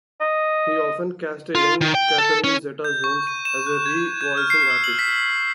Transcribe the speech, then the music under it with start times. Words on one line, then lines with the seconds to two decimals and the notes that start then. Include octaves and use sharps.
He often cast a young Catherine Zeta Jones as a re-voicing artist.
0.21 D#5
1.55 F4
1.81 D#3
1.95 G5
2.18 A4
2.44 C#4
2.84 G6
3.04 C#6
3.27 D#7
3.45 E7
3.67 F#6
3.86 G#6
4.21 G6
4.37 F6
4.50 C7
4.70 E6
4.84 F#7
4.99 B6